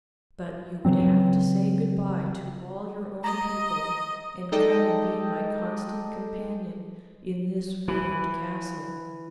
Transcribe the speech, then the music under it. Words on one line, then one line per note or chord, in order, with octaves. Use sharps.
But you would have to say good-bye to all your own people and come and be my constant companion in this ruined castle.
C#3 E3 F#3 C4
D#5 A#5
G#3 D#4 A4 D5 D#5 G5
E3